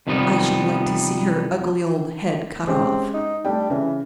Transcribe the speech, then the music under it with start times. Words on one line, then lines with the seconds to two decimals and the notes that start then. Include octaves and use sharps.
I should like to see her ugly old head cut off.
0.07 F2 C3 D#3 F3 G3 B3
2.67 G#3 C4 C#4 G4
3.14 D#4
3.45 G3 A3 D4 G5
3.70 C#3 E3